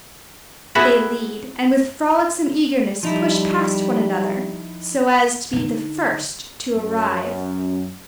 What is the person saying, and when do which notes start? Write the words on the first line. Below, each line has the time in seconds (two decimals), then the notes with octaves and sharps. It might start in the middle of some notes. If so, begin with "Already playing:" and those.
They lead, and with frolicsome eagerness push past one another, so as to be the first to arrive.
0.75 B3 E4 F#4 G#4 E5 F#5
3.03 F3 G3 D#4 E4
5.53 D3 D#4
6.75 F#2